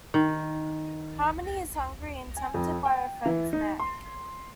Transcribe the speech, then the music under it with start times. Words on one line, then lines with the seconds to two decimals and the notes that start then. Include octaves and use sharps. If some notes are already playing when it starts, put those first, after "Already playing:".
Harmony is hungry and tempted by her friend's neck.
0.14 D#3
2.37 G#5
2.54 F2
2.86 G5
3.26 E3
3.53 D#4
3.79 C6